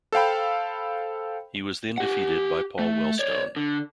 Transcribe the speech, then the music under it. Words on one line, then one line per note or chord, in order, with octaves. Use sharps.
He was then defeated by Paul Wellstone.
A4 C5 F5 G5 B5
G4 F#5
A3
C#5 D5
D3